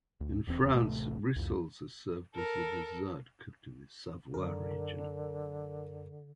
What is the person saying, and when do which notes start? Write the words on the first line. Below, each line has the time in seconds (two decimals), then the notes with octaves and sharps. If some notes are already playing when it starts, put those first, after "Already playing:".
In France, rissoles are served as a dessert cooked in the Savoy region.
0.21 D2
0.47 D#1 E2 C4
0.74 D1 A1 C3 A3
1.36 C2 F2
2.35 A4 A#4
4.34 F#2 D3 A#4